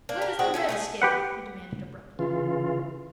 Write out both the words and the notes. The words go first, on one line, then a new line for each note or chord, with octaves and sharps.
"Where is the redskin?" he demanded abruptly.
A#3 D4
A#4
G#3 C4 F#4 G4
C#4 A4 E5
A3 G4 G#4
G4 B4 F#5
C#3 E3 F4